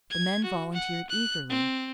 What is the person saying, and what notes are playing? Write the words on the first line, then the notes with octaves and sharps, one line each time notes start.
The men volunteered eagerly.
G#6
F#4
F#5
F#6
C4